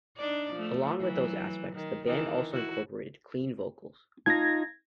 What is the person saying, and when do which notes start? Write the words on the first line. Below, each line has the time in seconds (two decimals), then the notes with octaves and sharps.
Along with those aspects, the band also incorporated clean vocals.
0.16 D4 D#4 D5
0.52 F3 A3
0.99 E3 F#3
1.75 D#3
2.06 D#3 E3
2.52 E4 F#4
4.26 D#4 F4 A5 G#6 A#6